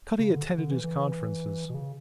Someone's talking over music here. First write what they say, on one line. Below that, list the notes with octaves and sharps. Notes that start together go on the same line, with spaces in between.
Cutty attended his conferences.
C#3
D3
D3
E3
E3
B2
C#3